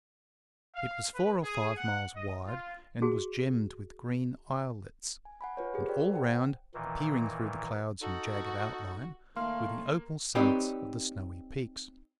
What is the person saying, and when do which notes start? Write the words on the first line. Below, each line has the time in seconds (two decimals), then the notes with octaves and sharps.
It was four or five miles wide, and was gemmed with green islets; and all round, appearing through the clouds in jagged outline, were the opal summits of the snowy peaks.
0.75 F5
1.13 B4
1.43 G#4
1.77 F#5
2.15 D#5
2.46 F4
3.02 F#4 G#4
5.25 G#5
5.41 F#5 G#5 B5
5.56 F4 B4 C#5 B5
5.74 G4 G#4 A#4
5.88 F#4 A#4 C5 D5 G5
6.12 C5 F#5 G5
6.74 A#2 D#3 E3
8.02 D#4 F#4 A4
9.36 A#2 D#3 A3 A#3 F5 C6
10.35 C4 D#4 G4 B4 C#5 D5